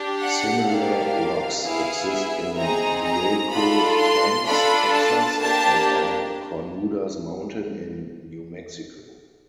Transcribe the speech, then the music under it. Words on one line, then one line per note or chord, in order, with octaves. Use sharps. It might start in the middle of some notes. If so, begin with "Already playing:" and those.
Similar rocks exist in Hueco Tanks, Texas, and on Cornudas Mountain in New Mexico.
Already playing: D4 G4
F#5
A#3 D4 G4 F5
B3 E4 G#4 F5
E5
C4 D#4 G#4 A#5
A#5
D4 F4 A4 B5
C6
D4 F4 A4 B5
A5
A#3 D4 G4 A5